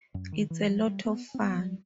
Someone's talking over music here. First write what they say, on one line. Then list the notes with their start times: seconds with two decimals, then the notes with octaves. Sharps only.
It's a lot of fun.
0.14 F#2
0.32 D#3
0.50 E3
0.64 G3
0.68 F#3
0.87 G3
1.05 B3
1.34 C4
1.41 B3
1.53 F#3
1.58 G3